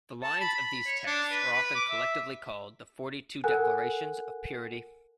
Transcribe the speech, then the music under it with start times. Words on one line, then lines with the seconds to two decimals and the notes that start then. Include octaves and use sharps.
The lines of these texts are often collectively called the "Forty-Two Declarations of Purity".
0.23 A5
0.41 B5
0.56 B5
0.86 C#5
1.07 D4
1.31 B4
1.53 B4
1.75 D6
1.90 E5
3.44 A4 A#4 F#5 G#5 F#6